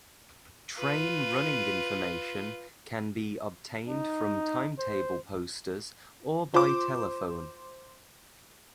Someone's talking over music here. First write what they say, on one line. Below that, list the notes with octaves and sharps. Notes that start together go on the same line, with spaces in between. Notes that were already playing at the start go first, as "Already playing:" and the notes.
Train running information can be obtained from timetable posters or by telephone.
F4 B4
D#4
C5
F4 C5 D6